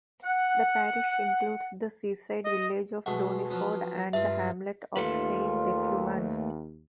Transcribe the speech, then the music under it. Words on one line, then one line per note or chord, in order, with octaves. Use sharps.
The parish includes the seaside village of Doniford and the hamlet of Saint Decumans.
F#5
D#5
B2 G#3 A3 F#5
F3 F#3 B3
G2 F4 E5
D#2 A3 F4 A4 B4